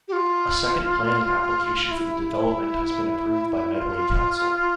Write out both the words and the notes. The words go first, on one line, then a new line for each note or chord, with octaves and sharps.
A second planning application for the development has been approved by Medway Council.
G4
F4
E4
F4